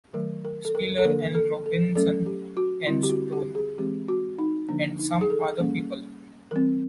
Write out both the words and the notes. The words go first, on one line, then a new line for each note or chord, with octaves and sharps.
Spiller and Robinson and Stone, and some other people.
D#3 F#3 A3 A#4
A#4
A4
A#4
A4
D3 F3 A#3 D4 A#4
A4
A4
F#3 A3 C#4 A4
G4
F#4
D3 G3 C4 E4
G4
F#4
G4
G#4
E3 G#3 C4 G4
F#4
D#4
D3 F3 A#3 D4
D#4
G#4
A4
G3 A#3 C#4
E3 G3 C4 A#4